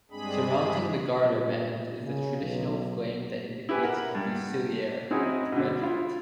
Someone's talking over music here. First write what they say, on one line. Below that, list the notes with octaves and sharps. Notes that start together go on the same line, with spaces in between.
Surmounting the garter band is the traditional flame that indicates a fusilier regiment.
G2 G#3 C4 D4 G#4 B5
A#2
C#3
B1
E4 G4 B4 G#5
A#4 F#5 B5
G2
C4 C#4 D#4 E4 F#4 G#4
B2 D3
E4 F4